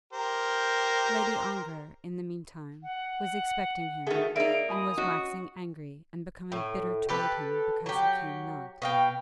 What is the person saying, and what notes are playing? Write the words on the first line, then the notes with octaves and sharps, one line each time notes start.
Lady Ongar, in the meantime, was expecting him, and was waxing angry and becoming bitter toward him because he came not.
G4 A#4 C5
F#5
D#3 A3 F#4 G#4
A#3 D#4 G#4 D5 E5 D7
F4 G#5 B5 D#6
C#4 D#4 F#4 D#5
A2
G4 A4 B4
F#3 G4
B2 F5 G5